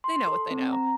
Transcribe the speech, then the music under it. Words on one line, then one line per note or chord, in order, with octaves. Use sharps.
they know what they know,
C6
A4
C4
A#5